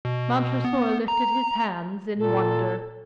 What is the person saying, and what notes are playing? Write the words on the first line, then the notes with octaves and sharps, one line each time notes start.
Montresor lifted his hands in wonder.
B2
B3
A#5
A#2 A4